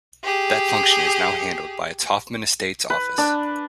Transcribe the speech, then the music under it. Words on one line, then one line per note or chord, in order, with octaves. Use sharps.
That function is now handled by its Hoffman Estates office.
G4 G#4
B4
D4